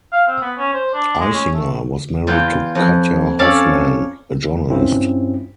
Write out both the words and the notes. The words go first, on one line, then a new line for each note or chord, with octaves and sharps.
Eichinger was married to Katja Hoffman, a journalist.
F5
C4
B3
C#4
C5
D4
G#3
C#4
A3
E2 F4 G5
F2
C#4 A4 D5 F5 A5
G2 C4 C#4 E4 F4